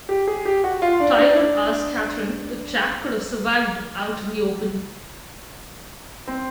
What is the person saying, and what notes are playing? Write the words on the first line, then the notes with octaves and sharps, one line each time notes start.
Tyler asks Katheryn if Jack could have survived out in the open.
G4
G#4
G4
F#4
F4
D4
D4
C4